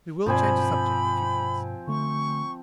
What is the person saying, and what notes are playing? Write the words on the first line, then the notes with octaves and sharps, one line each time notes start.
We will change the subject, if you please.
G2 B2 F3 C4 G#5 B5
D3 A3 C#6